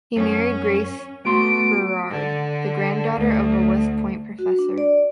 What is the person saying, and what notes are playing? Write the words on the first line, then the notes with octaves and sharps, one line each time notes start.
He married Grace Berard, the granddaughter of a West Point professor.
F#2 C#4
A3 B3 F#4 C6 D7
D3
D2
F#4
D4
D5